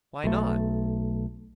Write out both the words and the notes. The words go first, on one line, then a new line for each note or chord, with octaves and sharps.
"Why not?"
B1 A3